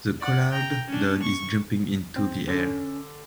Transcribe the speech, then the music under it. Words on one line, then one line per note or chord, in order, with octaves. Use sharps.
The collared dog is jumping into the air.
D5 F#5
G5 A#5
C#4 D4
C#6
C4
D3 C#4